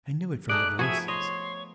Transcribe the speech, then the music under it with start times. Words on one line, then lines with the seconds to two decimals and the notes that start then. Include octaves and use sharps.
I knew it from the voices.
0.49 A3 D#4 G#4 D5 F#6
0.79 F3 B3 F#4 G#4 E5 G#6
1.08 C#5 D#5 C6